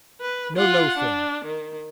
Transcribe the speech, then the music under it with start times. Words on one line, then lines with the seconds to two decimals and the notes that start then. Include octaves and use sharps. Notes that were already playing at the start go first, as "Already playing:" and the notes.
No loafing!
0.21 B4
0.57 F4 F#5
0.97 D4
1.44 D#3